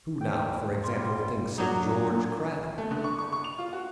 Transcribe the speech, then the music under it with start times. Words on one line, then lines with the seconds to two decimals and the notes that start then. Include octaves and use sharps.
Who now, for example, thinks of George Crabbe?
0.21 G5
0.84 G#2 G3 F4 C5 D5 C6
1.58 F#3 D4 D#4
2.78 A3
2.91 D3
3.04 C#6
3.19 C#6
3.33 C#6
3.44 F7
3.58 F4
3.73 F#4